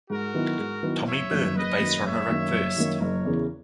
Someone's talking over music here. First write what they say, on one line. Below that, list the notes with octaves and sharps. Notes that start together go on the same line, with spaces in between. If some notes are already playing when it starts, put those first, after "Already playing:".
Tommy Byrne the base runner at first.
G#2 F#4 A#4
D#3 F#3 B3 E4
G#2
D#3 F#3 B3 E4
F#1 C#5 E5
F#2 D#3 F#3 A#3
F#1 B4 D#5
F#2 D#3 F#3 A#3
F#1 C#5 E5
F#2 D#3 A#3
F#1
F#2 D#3 A#3
F#1 A#4 C#5
E2 C#3 E3